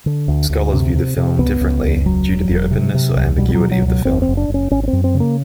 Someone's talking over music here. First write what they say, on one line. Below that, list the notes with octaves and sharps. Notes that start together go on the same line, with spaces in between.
Scholars view the film differently due to the openness or ambiguity of the film.
D3
D2
D2
C3
C3
C3
C#2 B3
C#2
C#2
E1 F#3
E1
E1
C3
C3
C2
B2 G3
G3
F#3
B2
F#3
C#2
F#3
F#1 C4
C4
F#1
D4
F#1
C#4
G#1 C#4
C#4
C4
F#2
C4
C#3
A#3